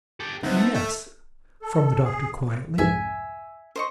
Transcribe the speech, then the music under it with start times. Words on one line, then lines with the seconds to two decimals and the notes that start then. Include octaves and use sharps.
"Yes," from the doctor, quietly.
0.20 G4 A4
0.43 C#2 B3 C4 D#4 E4
0.57 A3
0.73 A3 A4 E5
1.62 A4
2.04 G#4
2.78 C2 F2 G#2 E5 G#5
3.76 C5 D#5 C#6